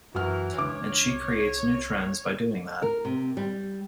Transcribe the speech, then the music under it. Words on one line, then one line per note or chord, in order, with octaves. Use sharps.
And she creates new trends by doing that.
F#2 E3 F#4 A#4 F6
C#2 D4 C#5 D6
C2
A#4
C3
G3